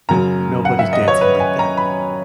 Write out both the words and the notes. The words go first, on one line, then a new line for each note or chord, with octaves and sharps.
No nobody's dancing like that.
F#2 C#3 F#3 A#5
F#5
E5
D#5
C#5
B4
G#5
A#5
B5